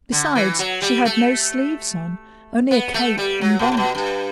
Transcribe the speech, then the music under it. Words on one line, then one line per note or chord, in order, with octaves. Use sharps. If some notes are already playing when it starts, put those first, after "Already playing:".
Besides, she had no sleeves on,--only a cape and bonnet.
D3
E3
F#3
G3
A3
B3
A3
G3
F#3
B2
A2
B2
G2